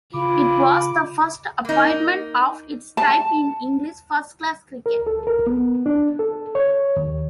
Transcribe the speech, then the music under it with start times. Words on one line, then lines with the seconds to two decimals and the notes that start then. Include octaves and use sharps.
It was the first appointment of its type in English first class cricket.
0.14 C#3 F4 B5 D6
1.65 A#3 D#4
2.97 A5
4.86 A#4
5.07 A4
5.27 A#4
5.47 B3
5.86 D4
6.19 A4
6.55 C#5
6.97 D#2